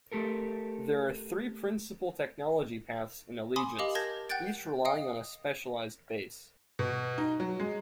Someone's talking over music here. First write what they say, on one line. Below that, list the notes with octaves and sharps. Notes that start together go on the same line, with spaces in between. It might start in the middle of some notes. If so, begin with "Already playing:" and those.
There are three principle technology paths in Allegiance, each relying on a specialized base.
A3 G4 A4 A#4
G#5 B5 C6 D6 D#6
G4 A#4 D#5 F5 D6 F#7
A#4 A5 G6 G#6 A#6
F#5 G5 F#6 G6 A6 D7
D#5 F5 G5 D#6 C#7
B2
D#4
F#3
G#3